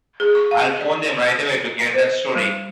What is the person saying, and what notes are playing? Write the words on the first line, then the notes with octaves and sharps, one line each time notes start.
I'll phone them right away to get that story.
G#4
C#6
F5
D5
C5
G3